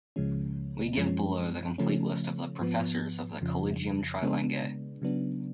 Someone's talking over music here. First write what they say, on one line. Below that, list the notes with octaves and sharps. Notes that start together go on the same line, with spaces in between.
We give below the complete list of the professors of the "Collegium Trilingue".
C#2 C#3 F3 G#3 C#4
F#2 F3 G#3 C#4
C#3 F3 A3 C#4
G#2 F3 B3
F2 C#3 F3
C#3 G#3 B3 D4
C#3 F#3 B3 D4